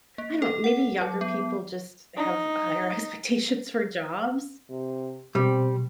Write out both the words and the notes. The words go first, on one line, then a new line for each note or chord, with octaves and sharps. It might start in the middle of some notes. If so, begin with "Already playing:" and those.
I don't maybe younger people just have higher expectations for jobs.
A#3
A4
F#5
F#3
B3
D#4
C3
B2 G3 C4